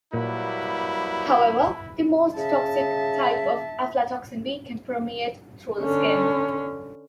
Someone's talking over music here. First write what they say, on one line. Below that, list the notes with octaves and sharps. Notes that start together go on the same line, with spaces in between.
However the most toxic type of aflatoxin, B, can permeate through the skin.
A#2 F#3 G3 A#3 E4 B4
C#3 E5 A5
D3 C#4